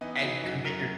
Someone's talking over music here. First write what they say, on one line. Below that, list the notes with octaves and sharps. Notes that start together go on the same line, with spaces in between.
and you commit your
E3 B3 D#4
E3 D#4 F#4
F#2 D#4 F#4
F#2 F#4 A#4